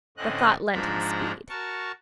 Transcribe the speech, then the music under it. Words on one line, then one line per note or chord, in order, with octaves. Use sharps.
The thought lent him speed.
A2 D3 C4 C#4 D#5 F#6
G#2 F3 D4 A#5 B5
F#4 A#4 A5 C#6